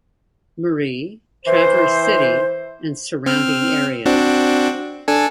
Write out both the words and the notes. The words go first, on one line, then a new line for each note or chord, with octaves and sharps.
Marie, Traverse City, and surrounding areas.
E3 C5
C4 F6
C4 D4 F#4
D4 A4 G#5